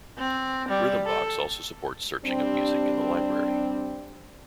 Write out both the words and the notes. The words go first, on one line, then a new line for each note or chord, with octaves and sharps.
Rhythmbox also supports searching of music in the library.
C4
G3
A4
G3 C4 D4